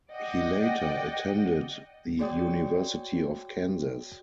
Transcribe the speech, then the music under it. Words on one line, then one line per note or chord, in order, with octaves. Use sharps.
He later attended the University of Kansas.
D5 D#5 F#5 G5
F#4 G#4 C#5 D5 G5 D#6